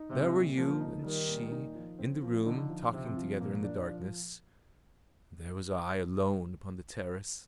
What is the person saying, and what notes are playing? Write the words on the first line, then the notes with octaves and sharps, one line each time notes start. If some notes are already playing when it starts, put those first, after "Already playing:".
There were you and she in the room talking together in the darkness; there was I alone upon the terrace.
Already playing: D#4
C3 G3
A#2
F3 A#3
D#4
D#3 G3
A#2
D#4
F3
C4
F3
D3 D#4
F3
C3 C4
F3
A#2 A#3
D4
F3